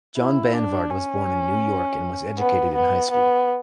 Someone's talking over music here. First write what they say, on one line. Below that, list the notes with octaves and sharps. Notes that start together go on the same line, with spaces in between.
John Banvard was born in New York and was educated in high school.
E4
D4
C#4
B3
B3
B3